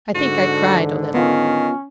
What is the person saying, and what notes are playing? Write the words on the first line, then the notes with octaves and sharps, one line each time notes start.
I think I cried a little.
G#2 D3 F#4
D#3 B3 C#4 F4